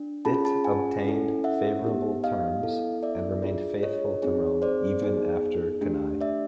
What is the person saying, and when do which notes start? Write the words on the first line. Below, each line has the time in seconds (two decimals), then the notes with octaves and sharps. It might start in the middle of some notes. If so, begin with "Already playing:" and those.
It obtained favourable terms, and remained faithful to Rome even after Cannae.
Already playing: D4
0.25 C#4 F4 G#4 A5 B5
0.45 A5 B5
0.64 F#5 G#5
1.04 C#4 E4 A4
1.44 E5 F#5
1.84 B3 D#4 G4
2.24 D#5 F5
2.63 B3 E4 A4
3.03 D5 E5
3.43 D4 F4 G#4
3.83 C#5 D#5
4.22 C4 D#4 G#4
4.62 C5 D5
5.02 B3 D#4 G#4
5.81 A3 D4 G4
6.21 D5 E5